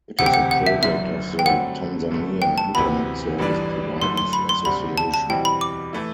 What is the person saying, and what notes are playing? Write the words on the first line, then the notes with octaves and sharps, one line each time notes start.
It is a project of the Tanzania Internet Service Providers Association.
E1 D2 C3 F#5
G5
F#5
F#5
E5
F#1 F#2 D3 E5
G5
G2 D3 F#3 A3 C4 F#5
G1 F#2 D3 A3
G5
A5
D2 C3 E3 B3 F#4 B5
A1 G2 E3 G3 D4
F#2 D3 A3 C6
C6
B5
C6
D2 C3 G3 D4 F#4 B5
A5
A5
E2 B2 G3 C4 E4 G5
B5
D6
E3 A3 E4